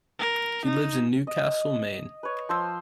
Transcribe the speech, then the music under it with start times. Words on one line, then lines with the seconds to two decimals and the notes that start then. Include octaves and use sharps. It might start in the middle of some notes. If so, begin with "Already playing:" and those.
He lives in Newcastle, Maine.
0.19 A#4
0.65 D#4
1.27 D#5
2.23 B4 C#5
2.49 F3 C5 E6